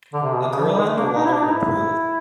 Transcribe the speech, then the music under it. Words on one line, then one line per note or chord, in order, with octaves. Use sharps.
A girl underwater in a pool.
D3
C3
B2
C3
C#3
F3
G3
G#3
A3
A#3
D4
D#4
E4
D4
D#4
E4